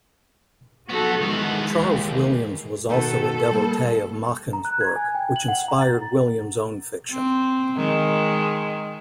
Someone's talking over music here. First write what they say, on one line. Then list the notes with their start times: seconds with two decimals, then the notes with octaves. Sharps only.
Charles Williams was also a devotee of Machen's work, which inspired Williams' own fiction.
0.90 B1 B3 F#4 A4
1.22 D#3 E3 G#3 B3
1.79 D#2
2.89 B2 D#3 B3 A4
3.51 G3 A#3
4.53 A#5
4.65 F#6
4.81 G#6
4.96 G#5
5.15 G5
5.36 F#7
5.48 F#5
5.68 A#5
5.81 A6
7.11 C4
7.76 D#3 G#3